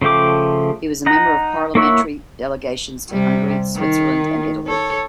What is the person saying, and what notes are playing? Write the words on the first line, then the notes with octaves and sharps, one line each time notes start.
He was a member of parliamentary delegations to Hungary, Switzerland and Italy.
C#3 F3 A3 G5 D6
D#4 F#5 A#5
A#3 E4 C#5 E5 F#5
C3 G3
D#3
A4 C#5